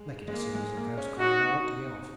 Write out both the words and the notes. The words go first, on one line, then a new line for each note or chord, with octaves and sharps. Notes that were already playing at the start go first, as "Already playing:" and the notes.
"Make it as soon as the coast's clear--I want to be off."
Already playing: G#3
G#3
A#3
G#3
A#3
C#4
D#4 F#4